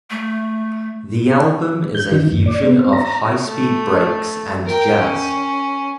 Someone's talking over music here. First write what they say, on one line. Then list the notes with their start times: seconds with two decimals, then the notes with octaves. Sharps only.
The album is a fusion of high speed breaks and jazz.
0.10 A3
1.95 G6
2.11 D#3
2.32 F#2
2.46 D5
2.63 B3
2.78 C4
2.93 A#5
3.05 A#5
3.45 A3
4.66 A#4 G5
5.00 C#4